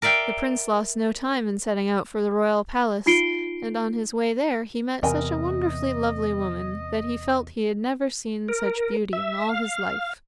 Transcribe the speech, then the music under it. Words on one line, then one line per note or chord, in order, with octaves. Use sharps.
The prince lost no time in setting out for the royal palace, and on his way there he met such a wonderfully lovely woman that he felt he had never seen such beauty in all his life.
A#4 D5 E5 F5 G5
D#4 F4 C7 D7 G7
E2 C3 A#4 D#5 G5 G#5
A#4
E5
F5